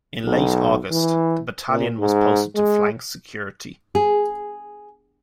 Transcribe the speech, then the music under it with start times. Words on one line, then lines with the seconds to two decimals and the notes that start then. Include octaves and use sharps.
In late August, the Battalion was posted to flank security.
0.25 B1
0.91 E3
1.69 A#2
1.99 G#2
2.55 G#3
3.95 G#4